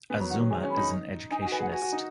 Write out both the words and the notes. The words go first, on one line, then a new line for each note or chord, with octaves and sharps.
Azumah is an educationist.
B3 G#5
F#3 B5
D#3 F#5
F#3
G#3 G#5
C#4
B5
D#4
D#4 G#5
G#5
F#4
B4 G#5
G#4 F#5
F#4 G#5
F#4
D#4